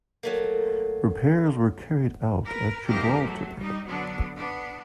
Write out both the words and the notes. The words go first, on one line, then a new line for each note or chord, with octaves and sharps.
Repairs were carried out at Gibraltar.
F#3 A3 A#3
A#4 B4
E2 G#2 D#3 A#3 G4 A#4
F#3 A3
G3 D#4
D3 F#3 B3 D4
B3 D4